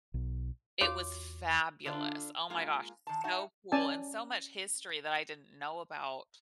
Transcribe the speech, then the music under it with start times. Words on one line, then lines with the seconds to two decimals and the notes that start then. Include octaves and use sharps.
It was fabulous, oh my gosh, so cool, and so much history that I didn't know about
0.14 B1
0.81 E2 F4 F#4 C#5 D6
1.85 D3 D4 F4
2.50 G#3 A#3 F4
3.07 D#3 A5
3.24 D#4 F#4 E5 F#5 A5
3.72 C#4 D5 G#5 A5